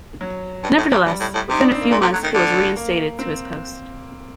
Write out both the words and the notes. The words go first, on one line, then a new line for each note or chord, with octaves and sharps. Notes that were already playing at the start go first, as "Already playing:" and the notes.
Nevertheless, within a few months he was reinstated to his post.
F#3
G2
A2
F#2
G2 G3
A2
A2
C3 D#4
D4
C4
A#3
A#2 A3
C3
F#3
D#3
D3
A#3
C4